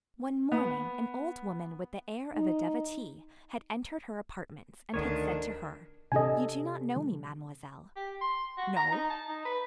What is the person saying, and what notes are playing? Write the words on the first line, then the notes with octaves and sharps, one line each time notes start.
One morning an old woman with the air of a devotee, had entered her apartments, and had said to her, "You do not know me, Mamemoiselle?" "No."
B3
D#4
D2 D3 D#3 D4 A#4 C#5 D5
C3 D4 A4 D#5 G#5
G4
C6
F#4
A#5
D#4
A5
D#4
B4